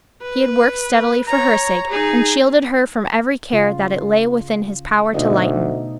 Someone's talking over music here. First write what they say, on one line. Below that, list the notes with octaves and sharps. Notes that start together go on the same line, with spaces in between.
He had worked steadily for her sake, and shielded her from every care that it lay within his power to lighten.
B4
C#5 A#5
D#4 G#4
C#3 F4
D2 B2 D#4 D#5